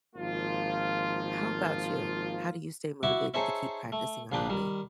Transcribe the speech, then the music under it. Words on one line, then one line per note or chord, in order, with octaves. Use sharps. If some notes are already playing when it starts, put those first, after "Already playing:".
How about you, how do you stay motivated to keep practicing a hobby?
G#1 F3 A#3 F4
E4 F#4 E5 D6
D#4 G#4 A4 C5 C#5 E5
A3
A#1 A#2 D4 B4 G5
D#3 G3